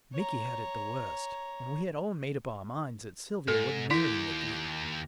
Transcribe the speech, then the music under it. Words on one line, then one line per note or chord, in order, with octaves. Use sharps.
Micky had it the worst, and we had all made up our minds that Sylvia would marry Micky.
C#5 A#5
G#2 A4
D#2 E4 G4